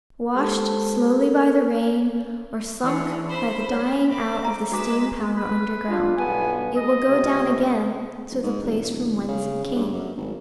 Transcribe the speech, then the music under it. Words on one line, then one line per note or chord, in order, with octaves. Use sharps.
Washed slowly by the rain, or sunk by the dying out of the steam- power underground, it will go down again to the place from whence it came.
G#3 G4 A4 C5 A5
A4 A#4
E3 C#4 D4 G#4
C5 B5
C#5
C4 D6
E5 A#5
G#3 F#4 B4 D6 B6 E7
B4
D4 F4
B1 G2 B3 G#5
D#5
C#2 C3
G1
G#2
E1
D1
C#3
C#3
G2
F#2
G#1